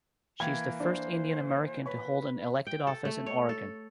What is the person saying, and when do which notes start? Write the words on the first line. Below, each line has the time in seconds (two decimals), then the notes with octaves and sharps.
She is the first Indian American to hold an elected office in Oregon.
0.40 E3 A#3 G5 G#6
0.80 D4 C5
1.86 B4 C#5
2.67 G5
2.87 A4
3.05 A3
3.26 C#5
3.49 A4